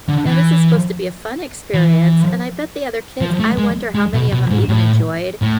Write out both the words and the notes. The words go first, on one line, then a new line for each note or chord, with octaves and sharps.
now, this is supposed to be a fun experience, and I bet the other kids I wonder how many of 'em even enjoyed
D3
E3
E3
F3
A3
G#3
G#3
B2
B2
G#2
A2
A2